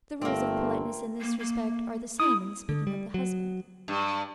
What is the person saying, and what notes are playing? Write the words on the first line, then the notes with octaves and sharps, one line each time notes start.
The rules of politeness in this respect, are the same in speaking of the husband.
G1 A3 A#3 C4
A#3
A#3
E4 D#6
D3
G3
F#3
G2